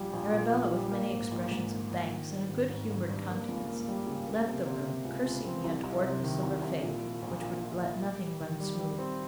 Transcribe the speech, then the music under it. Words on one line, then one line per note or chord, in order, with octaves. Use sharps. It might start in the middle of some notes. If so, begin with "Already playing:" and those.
Arabella, with many expressions of thanks and a good-humoured countenance, left the room, cursing the untowardness of her fate which would let nothing run smooth.
Already playing: A#1 G3
A#1
A#2
A#1
G3
A#3
G#2
A#1
G#2
A#3
A#1
D#3
G3
G#1
G#1
G#1
G2
A#3
C#2
A#3
G3
C#3
A#3
C3
C3
C4
C#2
C#2
C4
C2
C2
C3
D#3
C2
C2
A#2
F3
A#1
A#2
A#1
F3
G3
G3
D#3
G3
G3
C4